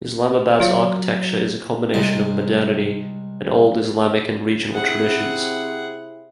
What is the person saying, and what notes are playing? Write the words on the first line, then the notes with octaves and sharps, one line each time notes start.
Islamabad's architecture is a combination of modernity and old Islamic and regional traditions.
F#3 F4 C#5 F5
C2 G#3
C3 C4 E4 G#4 F#5